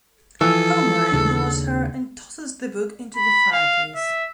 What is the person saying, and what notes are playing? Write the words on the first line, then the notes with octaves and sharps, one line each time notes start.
Homer ignores her and tosses the book into the fireplace.
E3 F3 A4
D#2 C#3 D4
B5
F5
E5